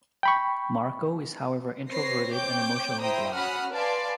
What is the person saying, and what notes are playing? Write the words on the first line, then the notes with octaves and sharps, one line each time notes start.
Marco is however introverted and emotionally blocked.
G5 B5 C#6
C4 B4 C#5 A#6 C7
C4 C#5 G5 D6 G6
E4 C5 G5 A#5 D#6
C#4 F#4 F#5 B5 D#6 F6
B4 D5 F5 G#5 A5 C6